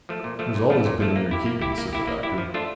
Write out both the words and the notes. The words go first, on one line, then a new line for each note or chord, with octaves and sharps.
"It has always been in your keeping," said the Doctor.
F3 A3
A#2
F3 A3
A#2
F3 A3
A#2
F3 A3
A#3
E4 G4
A#3
E4 G4
A#3
E4 G4
A#3
E4 G4
F3
A3 D4 F4